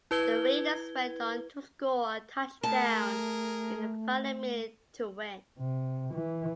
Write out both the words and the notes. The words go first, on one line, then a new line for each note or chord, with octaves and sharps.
The Raiders went on to score a touchdown in the final minute to win.
E4 B4 G#6 G7
A3 G#4 A#4 A5
C3
E3